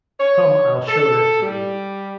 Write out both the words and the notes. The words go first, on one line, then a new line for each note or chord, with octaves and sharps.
Come, I'll show her to you.
C#5
A4
G3